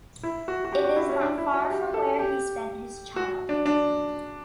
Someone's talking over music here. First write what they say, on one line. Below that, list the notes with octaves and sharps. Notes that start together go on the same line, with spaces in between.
It is not far from where he spent his childhood.
E4
F#4
F#4
G4
F#4
E4
C#4
D4
E4
F#4
G4
A4
G4
F#4
D4
D4